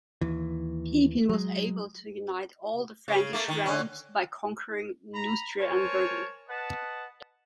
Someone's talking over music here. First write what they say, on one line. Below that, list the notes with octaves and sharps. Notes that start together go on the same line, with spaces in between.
Pepin was able to unite all the Frankish realms by conquering Neustria and Burgundy.
D#2 E3
F#3 G#3
C#3
A3 A#3
D#3
D3 C#4
A#5 B5
A#4 C5 C#5 G#5 A5
B4 D#5 F#5 A5